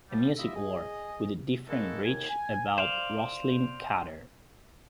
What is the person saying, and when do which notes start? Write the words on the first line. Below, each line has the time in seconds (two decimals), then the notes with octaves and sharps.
A Music War, with a different bridge about Rosalynn Carter.
0.10 F3 G3
0.38 G3 E4 F4 D#5 E5
0.55 G#4 D#5
1.68 D#3 G#3 A#3 E4 F#4 A4
2.04 D#2 G#5
2.29 G#5
2.78 C5 D5 F5